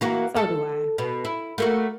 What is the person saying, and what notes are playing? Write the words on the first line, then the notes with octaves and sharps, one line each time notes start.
So do I.
E3 A#3 F#4
A4
B2
E4
A3 A#3 F#4